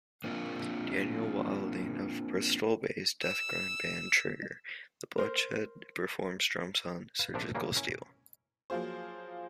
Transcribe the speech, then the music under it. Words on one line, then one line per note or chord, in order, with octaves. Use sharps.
Daniel Wilding of Bristol-based deathgrind band Trigger the Bloodshed performs drums on "Surgical Steel".
A#3 C4 D4 F4 F#4 A#4
E6
A#4 C5
B4 F5
A#1 C3 F3 D4 A#4 E5
C#3 E3 F#3 G3 A#3 C#4
C#4 E4 A#4
F3 F#3 A#3 F4 G#4 C5